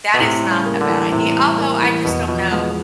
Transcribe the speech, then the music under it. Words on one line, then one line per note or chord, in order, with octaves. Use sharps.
That is not a bad idea. Although, I just don't know.
B2
A2 C3
G3
C#3
A#3
D3
E3
A2 C3
G3
A#3
E3
E2 B2
B2 F3
B2 G#3